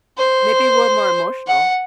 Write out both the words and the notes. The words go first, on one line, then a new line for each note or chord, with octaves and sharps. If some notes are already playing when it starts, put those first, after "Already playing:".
maybe we're more emotional.
C5
F#5